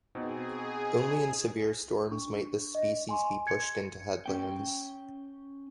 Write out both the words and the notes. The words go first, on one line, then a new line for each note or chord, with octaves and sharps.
Only in severe storms might this species be pushed into headlands.
B2 C4 D#4 G#4
D4 C#6
D#5
G#5 C6 C#6
G#6 C#7
C#4 G5